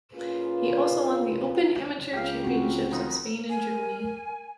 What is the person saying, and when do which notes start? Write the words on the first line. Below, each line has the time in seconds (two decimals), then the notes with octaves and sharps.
He also won the open amateur championships of Spain and Germany.
0.14 A#2 A#3 C#4 F4 G#4 B4
2.13 C#2 G4 F5
2.44 C4 F#4
2.92 F2 D#3 D#4
3.50 A#4 G#5